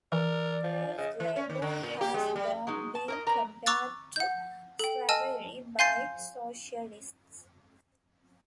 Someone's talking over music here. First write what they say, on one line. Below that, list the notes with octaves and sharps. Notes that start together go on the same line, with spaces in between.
Wage labour has long been compared to slavery by socialists.
E3 A#4 D5
F3
C#3 D#5
E3
C#4
D#3
D3
A#2
G4
G#3
G3
F#3 G#3 D#4
A5
A#4 C#5 D#5
A#4 B4 D5 A#5
A#5 C#6 D6 E6 F#6 A6
F#5 G6
A4 G5
D#5 G#5 A5 E6 F6
F5 G#5 C6 G6 A6 C7